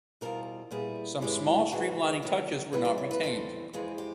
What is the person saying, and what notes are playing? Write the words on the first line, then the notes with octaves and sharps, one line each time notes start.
Some small streamlining touches were not retained.
E2 B2 G3 C4 F4 A#4
A#2 G3 B3 E4 G#4
G#2 E3 G#3 C#4 E4 G4
F2 C#3 E3 G#3 C4 F#4
C3 D#3 F#3 B3 D4 G4
A2 E3 G3 B3 B4
C5
C#5
B4
E2 C3 E3 G3 C4 A4
F2 C3 E3 G#3 C4 G#4
G4